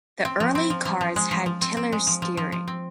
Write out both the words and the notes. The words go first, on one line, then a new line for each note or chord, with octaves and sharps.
The early cars had tiller steering.
C4
F3
C4
F3
F3
F3
G#3
F3
F3
C4
C4
G#3
F3
F3
F3
F3
C4